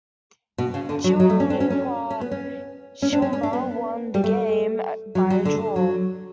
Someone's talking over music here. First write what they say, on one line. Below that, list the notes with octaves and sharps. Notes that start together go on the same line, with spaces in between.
Cheonan Ilhwa Chunma won the game by a draw.
B2
C#3
D3
F#3
F#3
A3
C#4
D4
C#4
C#4
C#4
B3
C#4
C#4
D4
C#4
C#4
D4
B3
G3
A3
F#3
F#3
D3
F#3